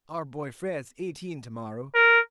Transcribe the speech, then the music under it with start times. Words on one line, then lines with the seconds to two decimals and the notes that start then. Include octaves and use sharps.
Our boy Fred is eighteen to-morrow.
1.95 A#4